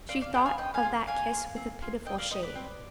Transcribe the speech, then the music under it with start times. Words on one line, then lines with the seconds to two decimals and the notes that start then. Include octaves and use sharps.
She thought of that kiss with a pitiful shame.
0.09 C4 D5 F5
0.21 D5 F5
0.33 F4 G#4 D#5 G5
0.46 F5 G#5
0.58 C4 D#5 G5
0.74 F5 G#5
0.83 F4 G#4
1.07 D4 F5 G#5
1.31 F4 G#4
1.56 C4
1.82 F4 G#4
2.05 C4 D#5 G5
2.18 D5 F5
2.30 D#4 C5 D#5
2.35 G4
2.42 B4 D5
2.55 C4